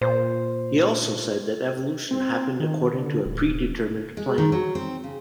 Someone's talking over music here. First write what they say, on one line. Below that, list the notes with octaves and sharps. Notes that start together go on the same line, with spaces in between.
He also said that evolution happens according to a predetermined plan.
A#2 C5
C4
D#3
D3
D1
G#3
D#3
F#3
C4
C#3